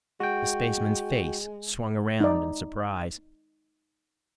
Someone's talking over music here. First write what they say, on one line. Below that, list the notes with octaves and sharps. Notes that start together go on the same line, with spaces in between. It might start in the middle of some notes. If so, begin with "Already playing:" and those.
The spaceman's face swung around in surprise.
G#3 F#4 G5
D#4 D5